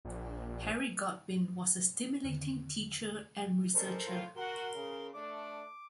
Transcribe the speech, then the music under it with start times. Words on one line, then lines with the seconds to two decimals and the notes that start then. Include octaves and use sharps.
Harry Godwin was a stimulating teacher and researcher.
0.05 A#1
2.23 E2 D3 D#3
3.75 G3 G#3 C#4 A4 A#4 C5
4.07 A2 F4
4.36 F#4 A#4 C6
4.75 C#3
5.14 A3 D4 D6